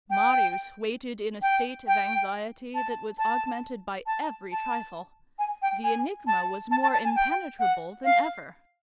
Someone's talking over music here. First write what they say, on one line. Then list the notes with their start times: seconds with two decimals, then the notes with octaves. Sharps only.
Marius waited in a state of anxiety that was augmented by every trifle. The enigma was more impenetrable than ever.
0.10 G5
1.42 G5
1.87 G5
2.75 A5
3.18 A5
4.07 A5
4.52 A5
5.39 G#5
5.62 G5
5.84 G#5
6.27 A5
6.71 A5
6.83 A5
6.93 A5
7.05 G#5
7.16 G5
7.60 F#5
8.05 F5